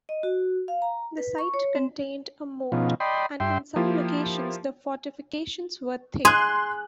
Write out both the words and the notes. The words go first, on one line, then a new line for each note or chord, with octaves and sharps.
The site contained a moat, and in some locations the fortifications were thick.
D#5
F#4
F5
A#5
B4
C#6
C#5
C4
B2 F3 B3 C#4 D#4 F4
D5 D#5 G5 B5 C6
G2 E5 G5 C6
F3 A#3 E4 F4 G4
G#4 C6 F#6